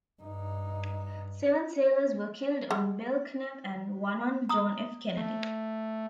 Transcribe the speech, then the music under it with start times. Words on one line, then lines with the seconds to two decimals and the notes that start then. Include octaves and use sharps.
Seven sailors were killed on "Belknap" and one on "John F. Kennedy".
0.22 G2 D#4
2.71 G#3 F#5
4.49 A#5 D#6
5.17 A3